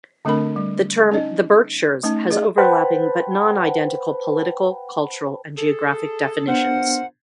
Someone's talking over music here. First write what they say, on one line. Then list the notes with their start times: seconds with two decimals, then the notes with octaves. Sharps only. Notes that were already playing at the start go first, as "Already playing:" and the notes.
The term "The Berkshires" has overlapping but non-identical political, cultural, and geographic definitions.
0.25 D3 A3 C4 D4 A#4 B5
0.56 G3
1.11 C#4 D#4 D5 D#5
2.03 A3 C#4 D#4
2.31 G#4 D5 D#5
2.58 B4 C5 F#5 G5 A5 B5
5.58 G#4 A4
6.48 B3 D4 F4 A#4 C5 F#5